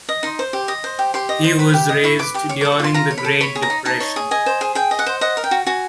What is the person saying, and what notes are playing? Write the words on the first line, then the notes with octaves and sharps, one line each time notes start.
He was raised during the Great Depression.
D#5
D#4 C6
C5
G4
D#5
C5
G4
G4 C6
D#5
C5
B4 B5
G4
D#5
E4 C#6
B4 D6
G4 D6
C#5 D6
D6
A4
C#6
F4 C6
F4 A#5
C#5
B5
A4
C#5 B5
G#4
A#5
D#4
D#4 A5
C#5
G#4
D#5 G#5
C5
G#4
G#4 G5
D#5
F#5
C5
D#5 F#5
A#4
G5
F#4
F#4 G#5